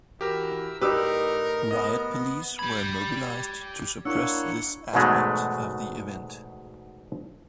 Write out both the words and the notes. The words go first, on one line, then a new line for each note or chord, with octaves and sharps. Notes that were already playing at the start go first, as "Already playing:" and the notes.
Riot police were mobilised to suppress this aspect of the event.
E3 F#4 G4 A#4 E6
A2 D#4 G4 A#4 B4 D5 D6 E6
B3 D#5
G4 B5 G#6
A#3 D4 E4 C#5 F#5 E6
E2 G#2 B2 F#3 G#3 A3